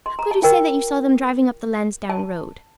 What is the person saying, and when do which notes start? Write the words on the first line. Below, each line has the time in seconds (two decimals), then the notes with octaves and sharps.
How could you say that you saw them driving up the Lansdown Road?
0.06 C6
0.19 A#5
0.31 A5
0.42 F4 A#4 G5
2.10 A5